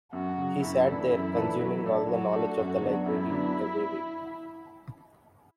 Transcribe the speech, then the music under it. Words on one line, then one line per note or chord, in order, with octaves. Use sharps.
He sat there consuming all the knowledge of the library every week.
F#2 F#4
C#3 F#3
F#2 E4
E3 A3 D4 A4
F#2
E3 A3 D4 A4
F#3
A3 D4 A4
F#3 F#4
A3 D4 A4
F#2
D3 F#3 B3 D4
F#2 E4
D3 F#3 B3 D4